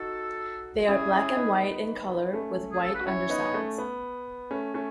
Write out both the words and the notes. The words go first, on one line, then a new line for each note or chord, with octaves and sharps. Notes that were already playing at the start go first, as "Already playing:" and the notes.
They are black and white in colour, with white undersides.
Already playing: D#4 F#4 A4
C#4 E4 G#4
C#4 E4
B3 D#4
A3 C#4
G#4
A4
B4
F#4
C#4 E4 C#5
B3 D#4
A3 C#4
B3
A3 C#4
A3 C#4